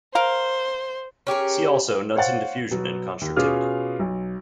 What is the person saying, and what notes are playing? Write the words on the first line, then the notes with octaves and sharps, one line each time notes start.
See also Knudsen diffusion and constrictivity.
A#4 C5 F5
C#4 G4 G#4 A#4
C5 C#5 F5 F#5 A6
B2 F#3
D#2
B2 C#4 F4 G#4 D6 F6
B1